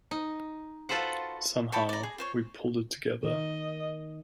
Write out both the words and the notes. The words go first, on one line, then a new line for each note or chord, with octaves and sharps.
Somehow, we pulled it together.
D#4
F4 F#4 A4 B4 C5 F#5
C#5 G5 A5 B5
D5 A#5
G#4
F4 C5 C#5
D#3 D#5